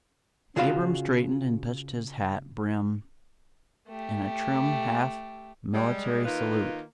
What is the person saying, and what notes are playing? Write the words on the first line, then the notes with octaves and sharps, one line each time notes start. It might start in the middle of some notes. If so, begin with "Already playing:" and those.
Abram straightened and touched his hat brim in a trim half military salute.
C#3 F4 F#4 F5 B5
A3 G4
G3 G#3
D#3 A#3 F4 B4